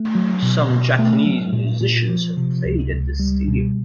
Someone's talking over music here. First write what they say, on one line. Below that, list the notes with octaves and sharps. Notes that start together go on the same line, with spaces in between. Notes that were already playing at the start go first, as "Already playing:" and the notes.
Some Japanese musicians have played at this stadium.
Already playing: A3
F#3
B2
B2
A3
F#3
A#2
A#2
F3
C3
C#2
C#2
G3
B2